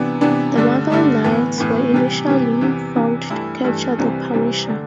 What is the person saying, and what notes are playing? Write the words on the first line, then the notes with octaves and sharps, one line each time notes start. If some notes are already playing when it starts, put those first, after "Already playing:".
The Marvel Knights were initially formed to capture the Punisher.
Already playing: C3 E3 B3 D4
C3 E3 B3 D4
G2 D3 A3 D4
G2 D3 A3 D4
A2 E3 B3
A2 E3 B3
C3 E3 G3
C3 E3 G3
E2 C3 E3
E2 C3 E3
G2 E3 A3 E4
G2 E3 A3 E4
C2 C3 E3 G3 C4
C2 C3 E3 G3 C4
D3 A3 D4